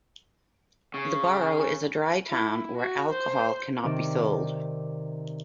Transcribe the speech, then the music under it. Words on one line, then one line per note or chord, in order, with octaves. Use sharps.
The borough is a dry town where alcohol cannot be sold.
C#3
E4
F#4
C5
C3 D#3 D5